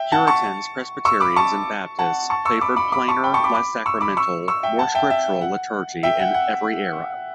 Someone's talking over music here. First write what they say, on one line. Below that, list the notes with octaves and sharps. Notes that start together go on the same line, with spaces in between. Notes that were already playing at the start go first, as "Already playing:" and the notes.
Puritans, Presbyterians and Baptists favoured plainer, less sacramental, more scriptural liturgy in every era.
Already playing: E5 G5
F#5 A5
A5 C#6
C#6 E6
B5 D6
A5 C#6
F#5 A5
A5 C#6
C#6 E6
B5 D6
B5 D6
B5 D6
A5 C#6
G5 B5
A5 C#6
B5 D6
B5 D6
C#6 E6
B5 D6
C#6 E6
C#6 E6
E5 G5
F#5 A5
E5 G5
E5
F#5
E5 G5
F#5
F#5